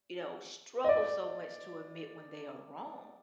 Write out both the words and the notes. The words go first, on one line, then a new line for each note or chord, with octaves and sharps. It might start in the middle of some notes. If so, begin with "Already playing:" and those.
you know, struggle so much to admit when they are wrong?
D#5
D5